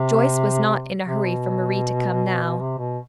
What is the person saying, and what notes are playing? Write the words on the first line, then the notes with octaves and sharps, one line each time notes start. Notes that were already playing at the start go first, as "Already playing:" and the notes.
Joyce was not in a hurry for Marie to come now.
Already playing: C3
C3
B2
C3
B2